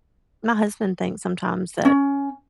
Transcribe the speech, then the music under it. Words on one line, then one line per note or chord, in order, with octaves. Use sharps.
my husband thinks sometimes that
C#4